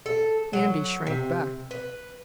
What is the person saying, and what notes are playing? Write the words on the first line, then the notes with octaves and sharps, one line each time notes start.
Andy shrank back.
A4
F#3
C3
B4